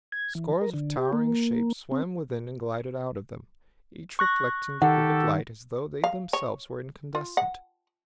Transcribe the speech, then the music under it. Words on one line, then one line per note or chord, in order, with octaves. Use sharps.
Scores of towering shapes swam within and glided out of them, each reflecting the vivid light as though they themselves were incandescent.
G#6
E3
A#4
D3
G4
A#3
C4
C#6 F#6 A#6
D#3 G4 A4 F#5
F5
C#5
F4
F#5